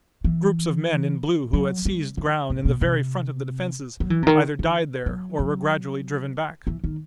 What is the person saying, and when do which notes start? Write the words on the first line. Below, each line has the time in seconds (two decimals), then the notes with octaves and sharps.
Groups of men in blue who had seized ground in the very front of the defenses either died there or were gradually driven back.
0.24 E3
1.53 F#3
1.85 G3
2.17 E3
2.50 A2
2.65 B2
2.81 C3
4.00 F#3
4.10 E3
4.23 C3
4.27 D#3
4.59 D#3
5.06 F#3
5.39 F#3
6.67 E3
6.84 D#3